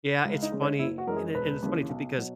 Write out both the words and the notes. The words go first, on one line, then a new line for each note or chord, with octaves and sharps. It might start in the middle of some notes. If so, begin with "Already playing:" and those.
Yeah, it's funny and i it's funny too because,
C#2
D#4
C#3 G#3
C#4
F#1 E4
F#4
F#2 E3 G#3 A#4
G#4
E1 B4
D#2 C#3 E3
B1
B2 F#3